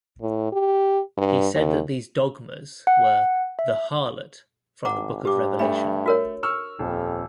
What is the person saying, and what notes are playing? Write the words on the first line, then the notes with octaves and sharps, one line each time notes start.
He said that these dogmas were "the harlot" from the book of Revelation.
A2
G4
G2
D#2
F#5
E5
G#1 F#5 A#5 D6
G2 G4 D6
A3 D4 B5
F#4 A#4 C#5
C#6 E6 F6
D#1 F2